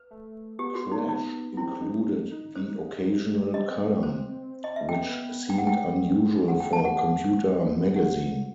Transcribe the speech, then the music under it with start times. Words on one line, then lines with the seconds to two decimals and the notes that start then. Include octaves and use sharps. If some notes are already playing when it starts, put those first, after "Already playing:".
"Crash" included the occasional column which seemed unusual for a computer magazine.
Already playing: B4
0.11 A3
0.59 B3 G4
0.75 F#4
0.92 D#4
1.09 D#4
1.53 B3
1.57 C4 E4
1.81 D#4
2.31 D#4
2.56 C5
3.53 C4 D#5
4.03 C5
4.64 D#5
4.76 E5
4.89 G5
5.01 B3
5.50 G5
5.58 F#5
5.67 G5
5.99 A3
6.48 F#5
6.60 G5
6.73 A5
6.85 F#5
6.98 F#5
7.47 G3
7.64 A3
7.80 B3
7.96 A3 F#5